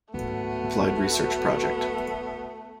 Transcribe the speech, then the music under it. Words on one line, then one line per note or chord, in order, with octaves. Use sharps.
Applied Research Project.
G#1 C#2 A2 F#3 A3 B3 F#4